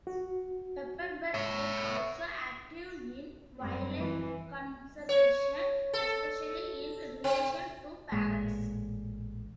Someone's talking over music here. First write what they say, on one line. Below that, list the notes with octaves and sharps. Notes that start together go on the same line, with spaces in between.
Pepperberg is also active in wildlife conservation, especially in relation to parrots.
F#4
C#5 E5
F#2 G3 C4
E3
C#5
A4
C4
A1 A#2 G#3